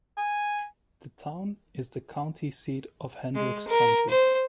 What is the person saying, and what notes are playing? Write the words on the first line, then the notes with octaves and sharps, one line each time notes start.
The town is the county seat of Hendricks County.
G#5
G#3
A#4
C5